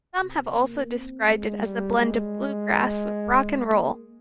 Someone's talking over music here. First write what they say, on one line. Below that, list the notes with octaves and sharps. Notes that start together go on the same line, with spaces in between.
Some have also described it as a blend of bluegrass with rock and roll.
C3
A#3
C4
G#3
G3
G#3
A#3